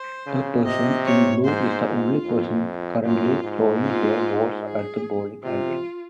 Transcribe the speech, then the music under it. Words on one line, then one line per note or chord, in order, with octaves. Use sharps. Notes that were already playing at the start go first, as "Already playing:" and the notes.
A person in blue is the only person currently throwing their ball at a bowling alley.
Already playing: C5
C#3
C3 D#5
C#5
G#2 C5
F4
F2
F#2 F4
G#2
F4
G#4
C3 F4